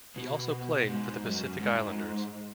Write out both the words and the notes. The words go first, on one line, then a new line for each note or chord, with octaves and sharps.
He also played for the Pacific Islanders.
B2
G#2
F#2
G#2